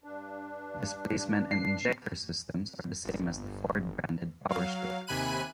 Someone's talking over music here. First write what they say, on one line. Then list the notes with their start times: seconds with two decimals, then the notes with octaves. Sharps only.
Displacement and injector systems are the same as the Ford branded Power Stroke.
0.04 G2 D4
1.51 C7
3.05 G1
4.49 F#3 F5
5.07 D#2 C3 G#5 B5 F#6 D#7